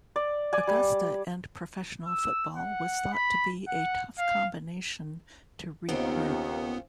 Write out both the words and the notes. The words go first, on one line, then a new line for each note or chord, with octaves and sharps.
Augusta and professional football was thought to be a tough combination to regroup.
D5
D5 G#5
G3
E6
F#5
B5
F#5
F5
D#2 C#3 B3 C4 F4